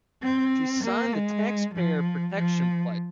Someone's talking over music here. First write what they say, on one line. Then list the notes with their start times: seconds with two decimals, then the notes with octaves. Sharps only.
She signed the Taxpayer Protection Pledge.
0.23 C4
0.83 A#3
1.14 G#3
1.74 F3
2.35 F3